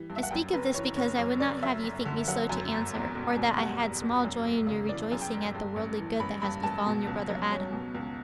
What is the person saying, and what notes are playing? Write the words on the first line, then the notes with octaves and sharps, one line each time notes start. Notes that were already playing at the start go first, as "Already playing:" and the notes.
I speak of this, because I would not have you think me slow to answer, or that I had small joy in your rejoicing at the worldly good that has befallen your brother Adam.
Already playing: E3 G3
G2
E5
F#5
F#2 G5
F#1 B4
E3 C#5
F#1 C#5
F#2 C#5
F#1 D5
F#2 E5
G1
D3
F#3 F#5
F#2
G1
E2
E1
B2
G3 F#5
E2
E1
F#2
G1
C#3
E3 D5
F#2
G5
G1
G2
A1
E3
A1 B5
G2 B5
A1 A5
B2
C#2
F#3
C#4
B2
C#2